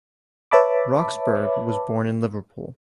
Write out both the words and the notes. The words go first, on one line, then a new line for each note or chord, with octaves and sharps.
Roxburgh was born in Liverpool.
B4 C#5 E5 A5 B5 D6